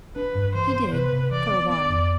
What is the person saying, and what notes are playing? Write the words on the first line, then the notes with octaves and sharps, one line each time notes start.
He did--for a while.
D4 B4
G2
E3 C5
B3
C3 B4
C3
E3 D5
B3
B3 D5
F2